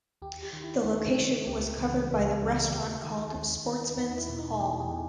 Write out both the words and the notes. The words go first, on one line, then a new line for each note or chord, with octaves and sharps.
The location was covered by the restaurant called "Sportsman's Hall".
D#2 G4
G4
D#3
E4
D#2 D#4
D#3 D#4
C#2 G4
C#3 E3
C#2
C#3 E3
D#2 G4
D#3
D#2
D#3
E2 D#4
E4
B2
D#4
E2 G4
G#4
B2